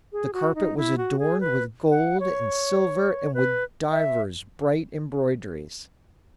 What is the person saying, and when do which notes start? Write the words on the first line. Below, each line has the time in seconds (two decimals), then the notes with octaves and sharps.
The carpet was adorned with gold and silver and with divers bright embroiderings.
0.12 G#4
0.33 F#4
0.55 D#4
0.77 E4
0.98 F#4
1.19 G#4
1.40 B4
1.90 F#5
2.20 C#5
3.34 B4
3.91 E5